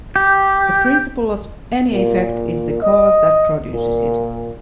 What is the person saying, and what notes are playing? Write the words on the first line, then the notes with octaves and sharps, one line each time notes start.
The principle of any effect is the cause that produces it.
G4
A#2
D#5
A#2